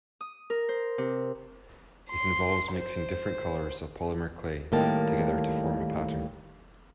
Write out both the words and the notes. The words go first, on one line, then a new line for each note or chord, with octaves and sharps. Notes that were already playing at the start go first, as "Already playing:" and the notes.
It involves mixing different colors of polymer clay together to form a pattern.
D#6
A#4
C5
C3
C6
C5
A2 D#3 G3 A#3 A5